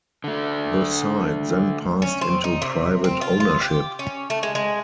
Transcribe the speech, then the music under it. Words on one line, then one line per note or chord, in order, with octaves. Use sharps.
The site then passed into private ownership.
D3 A3
C#4
C4
D#4
C3
C4
F4
F4
G4
C#4
A3
G#3
G#3